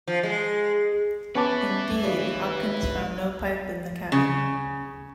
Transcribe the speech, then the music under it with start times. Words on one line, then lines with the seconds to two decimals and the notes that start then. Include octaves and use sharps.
Indeed, Hopkins found no pipe in the cabin.
0.07 F3
0.23 G#3
1.35 B3 C#4 B4 C#5 E5 A5 D6
2.04 D#2 C#3 D5
4.12 C#3